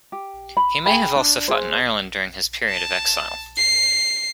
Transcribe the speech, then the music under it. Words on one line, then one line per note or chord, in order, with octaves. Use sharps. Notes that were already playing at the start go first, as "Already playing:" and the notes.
He may also have fought in Ireland during this period of exile.
G4
B5
G#4 G5 G#5 B5
D4
G#4 C5
A5
C7